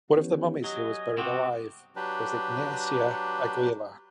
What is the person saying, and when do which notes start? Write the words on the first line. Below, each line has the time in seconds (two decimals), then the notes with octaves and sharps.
One of the mummies who was buried alive was Ignacia Aguilar.
0.16 E3 B3 C#4 G4
0.64 F#3 D#5 G#5
1.17 C3 C4 F#4 F#5 D6 D#6
1.96 F#3 D4 G4 B4